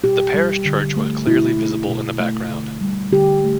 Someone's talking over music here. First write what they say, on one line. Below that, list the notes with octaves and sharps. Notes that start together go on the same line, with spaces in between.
The parish church was clearly visible in the background.
B2 G4
G3
D3
A3
B2 E4
A3
B2
A3
D3
G3
D3 G4
A3